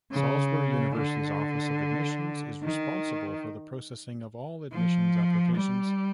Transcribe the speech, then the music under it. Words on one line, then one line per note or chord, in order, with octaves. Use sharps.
Salisbury University's Office of Admissions is responsible for the processing of all admissions applications.
C#3
D3
D#3
F3
G3